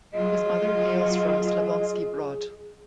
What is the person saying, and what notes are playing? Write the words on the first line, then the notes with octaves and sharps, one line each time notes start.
His mother hails from Slavonski Brod.
F#3 F4 G#4 D#5